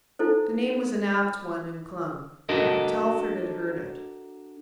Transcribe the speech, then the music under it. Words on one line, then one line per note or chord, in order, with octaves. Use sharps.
The name was an apt one and clung. Telford had heard it.
D#4 E4 A4 C5
D4 F#4 A4 A#4 D#5